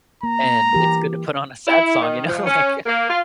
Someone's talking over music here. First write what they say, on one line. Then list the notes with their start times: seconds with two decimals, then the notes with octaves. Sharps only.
And it's good to put on a sad song, you know? Like
0.23 A#3 A#5
0.73 E3 G4 A#4
1.67 E4
2.01 D#3
2.27 F3
2.45 C#4
2.86 A#3
3.08 F4